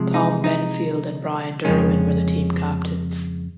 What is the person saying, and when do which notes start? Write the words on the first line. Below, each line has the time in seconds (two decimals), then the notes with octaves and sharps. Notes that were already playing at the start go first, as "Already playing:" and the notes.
Tom Benfield and Brian Derwin were the team captains.
Already playing: C3 F3 G#3
0.14 D#4
0.44 D#4
1.65 F2 C#3 F3 G#3 C#4